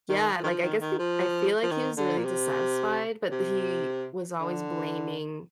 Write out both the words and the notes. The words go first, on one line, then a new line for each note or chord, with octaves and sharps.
yeah, like I guess think? I feel like he was really dissatisfied, but he was always blaming
D#3
F3
D#3
F3
D#3
D#3
F3
F3
D#3
D3
A#2
C3
C3
D3